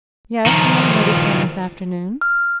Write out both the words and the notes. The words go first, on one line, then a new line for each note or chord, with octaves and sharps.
"Yes; a young lady came this afternoon."
D#3 F3
F6